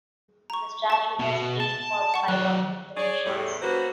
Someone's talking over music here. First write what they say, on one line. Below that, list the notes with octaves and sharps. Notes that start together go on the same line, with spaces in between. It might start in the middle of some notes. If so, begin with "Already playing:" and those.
The statue was paid for by public donations.
A#5 C#6
A5 C#6
B2
A5 A6
F#5 C#6
F#3 D5 F#6
G#4 C#5 D5
E2 A2 G3
F#3 A#3 B3 C#4 F#4 C5